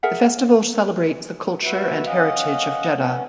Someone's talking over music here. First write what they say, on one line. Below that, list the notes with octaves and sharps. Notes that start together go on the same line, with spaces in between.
The festival celebrates the culture and heritage of Jeddah.
G#4 A#4 E5 F#5
F#4 B4 E5
C#4 D#5 F5 F#5
B3 C#4